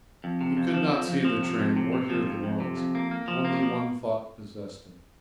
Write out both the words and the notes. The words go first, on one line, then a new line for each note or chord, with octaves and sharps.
He could not see the train or hear the noise. Only one thought possessed him.
F2
C3
F2
F3
F2
F2
F3
C3
F2
C3
C3
F3
F2
F2
C3
F2
A#3
A#3
F3
A#3
F3